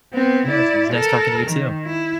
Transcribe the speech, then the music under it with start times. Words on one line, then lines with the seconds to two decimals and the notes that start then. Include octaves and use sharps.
Yes, it was nice talking to you too.
0.13 B3 C4
0.48 E4 D5
0.94 A4 A#4
1.47 D#3
1.85 E4